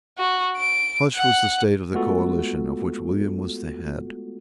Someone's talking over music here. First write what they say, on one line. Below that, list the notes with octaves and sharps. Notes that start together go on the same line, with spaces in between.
Such was the state of the coalition of which William was the head.
F#4
D7
F#5
G#3 A3 B3 F4 F#4 A4